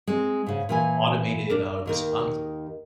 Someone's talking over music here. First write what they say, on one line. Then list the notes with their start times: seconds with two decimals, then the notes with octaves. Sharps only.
automated, uh, responses,"
0.07 G#3 C4
0.46 G#2 C#3
0.69 A#2 E3 G#5
1.50 D4 A#4
1.86 D#2 D#3 A#4